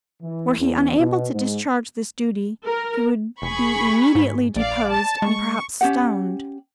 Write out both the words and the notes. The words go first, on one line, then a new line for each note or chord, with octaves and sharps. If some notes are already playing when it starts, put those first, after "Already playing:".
Were he unable to discharge this duty, he would be immediately deposed and perhaps stoned.
E3
E2
B2
G#2
A#4
F1 G#4 B5 C#6
G#2
A#1 D5 F5
A5 A6
G#3 C#6
C#4 G4 F#5